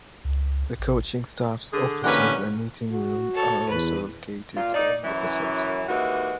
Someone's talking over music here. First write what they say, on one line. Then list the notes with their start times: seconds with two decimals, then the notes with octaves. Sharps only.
The coaching staff's offices and meeting room are also located in the facility.
0.25 C#2
0.79 A1
1.73 D3 G#4
2.04 D3 E3 A#3 C#4 G4 A#4 B4 F#5
2.91 F#4
3.34 A4 C#5
3.69 E2 B4
4.56 A#2 F4
4.73 D#4 D5
5.04 F#2 E3
5.89 D#2 E3 G#3 F#4